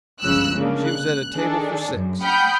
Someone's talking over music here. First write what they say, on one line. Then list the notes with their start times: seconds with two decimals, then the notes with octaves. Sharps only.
She was at a table for six.
0.21 G1 C#2 C#3 F3 E6 F#6
0.56 C#3 G#3 A#3 D4
0.84 F#6
1.36 D#3 D4 G#4 A4
1.91 F#2
2.22 F#5 G5 B5 D#6 F6 G6